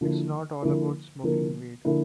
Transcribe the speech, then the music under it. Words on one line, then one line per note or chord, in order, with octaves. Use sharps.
It's not all about smoking weed.
D3 F3 A#3 E4 A#4
D3 F3 A#3 E4 A#4
D3 F3 A#3 E4 A#4
D3 F3 A#3 E4 A#4